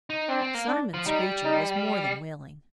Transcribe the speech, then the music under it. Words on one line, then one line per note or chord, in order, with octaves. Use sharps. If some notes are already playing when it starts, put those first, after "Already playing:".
Simon Screecher was more than willing.
D#4
C4 D4
C4
A#3
D4
F3
G3 D#4
D#4